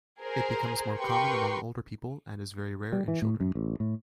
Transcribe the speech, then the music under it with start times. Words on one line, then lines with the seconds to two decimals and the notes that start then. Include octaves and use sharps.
It becomes more common among older people and is very rare in children.
0.21 G#4 A#4 C5
0.99 G4 A#4 B4 G5 C6 C#6
2.93 G3
3.08 E3
3.22 A2
3.40 F#2
3.55 A1
3.80 A2